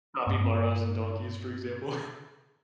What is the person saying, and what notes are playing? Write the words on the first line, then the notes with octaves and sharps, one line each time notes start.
capibaras and donkeys, for example.
G2 A#3